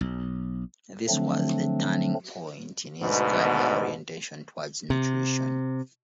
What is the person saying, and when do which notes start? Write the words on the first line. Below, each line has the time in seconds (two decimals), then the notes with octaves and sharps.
This was the turning point in his career orientation towards nutrition.
0.01 B1
1.09 D3 F3 F#3 A3 C4 D4
3.02 D2 G#2 B2
4.90 C3